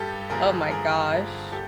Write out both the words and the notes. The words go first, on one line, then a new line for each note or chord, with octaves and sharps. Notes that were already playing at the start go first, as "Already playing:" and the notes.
oh my gosh.
Already playing: G2 G4 A4
D3 F3 A#3 G#4 A#4
G2 G#4 A#4
D3 F3 A#3
G4 A4